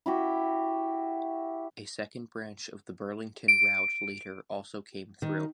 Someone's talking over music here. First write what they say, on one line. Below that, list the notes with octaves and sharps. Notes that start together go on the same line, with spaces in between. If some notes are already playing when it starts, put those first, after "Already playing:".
A second branch of the Burlington Route later also came through.
E4 F#4 G4
D7
D#3